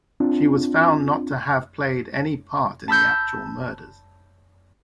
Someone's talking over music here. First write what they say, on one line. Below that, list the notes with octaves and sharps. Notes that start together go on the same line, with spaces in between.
She was found not to have played any part in the actual murders.
C4 D4 F4
A5 B5 E6 G6